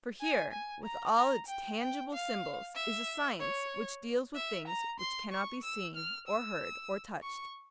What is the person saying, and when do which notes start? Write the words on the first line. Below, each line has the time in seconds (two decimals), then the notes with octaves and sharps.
For here, with all its tangible symbols, is a science which deals with things which cannot be seen or heard or touched.
0.21 G#5
0.52 G#5
0.84 A#5
1.16 A#5
1.48 G5
1.79 G5
2.13 F5
2.75 E5
3.40 C#5
4.35 E5
4.68 A#5
5.00 C6
5.32 C#6
5.64 E6
5.96 F6
6.27 E6
7.23 C#6